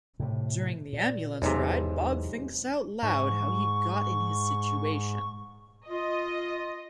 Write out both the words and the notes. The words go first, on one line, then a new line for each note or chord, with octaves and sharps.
During the ambulance ride, Bob thinks out loud how he got in his situation.
A2 C3
A#2
B1 E2 G#2 C3
G#2 C#6
F4 D#5